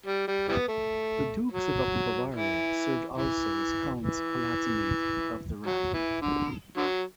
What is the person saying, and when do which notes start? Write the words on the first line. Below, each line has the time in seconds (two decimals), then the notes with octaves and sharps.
The dukes of Upper Bavaria served also as Counts Palatinate of the Rhine.
0.06 G3
0.28 G3
0.48 E3 G3 B3
0.68 A3
1.51 F#3
2.34 E3
3.18 E3
4.00 E3
5.66 F#3
5.94 E3
6.21 D3
6.77 D3 F#3